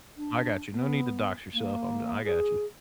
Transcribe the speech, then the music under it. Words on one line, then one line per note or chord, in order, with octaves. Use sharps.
I got you, no need to dox yourself, I'm d I got you.
D4
B3
A#3
G#4